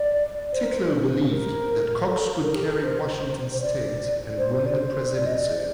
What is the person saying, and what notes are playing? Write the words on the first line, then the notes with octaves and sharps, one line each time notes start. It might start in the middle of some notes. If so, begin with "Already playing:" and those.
Titlow believed that Cox would carry Washington state and win the presidency.
Already playing: D5
C5
A#4
C5
A#4
A4
A#4
A#4
G4
A4
A#4
C5
C5
D5
C5
C5
D5
C5
D5
D#5
D5